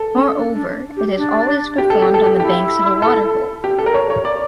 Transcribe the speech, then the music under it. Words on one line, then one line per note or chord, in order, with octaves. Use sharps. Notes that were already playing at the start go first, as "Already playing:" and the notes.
Moreover, it is always performed on the banks of a water-hole.
Already playing: A4
C#4
D4
D4
G4
D4
G4
A4
G4
A4
G4
E4 G4
A4
G4
A4
A#4
C#5
C#5
D5